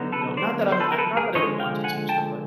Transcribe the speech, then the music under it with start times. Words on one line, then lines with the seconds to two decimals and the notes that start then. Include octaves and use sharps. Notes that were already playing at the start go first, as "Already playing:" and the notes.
You know, not that I'm I not that I don't want to teach them, but
Already playing: D3 F#3 B3 D#4
0.12 A4 B4
0.37 C5 D5
0.72 C5
0.80 A4 B4
0.92 A#4
0.98 A4 B4
1.17 G#4 A#4
1.35 D3 F3 G#3 C#5 D#5
1.60 F5 G5
1.84 F#5 G#5
2.09 G5 A5